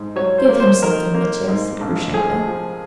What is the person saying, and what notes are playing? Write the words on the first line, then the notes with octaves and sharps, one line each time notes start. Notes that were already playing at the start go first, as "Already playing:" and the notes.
"Give him something, Mitya," said Grushenka.
Already playing: G#2
F#3 C#5
C5
A#3
C5
D#3 A#4
A#3
G#2
A#1
F3 G#4
F3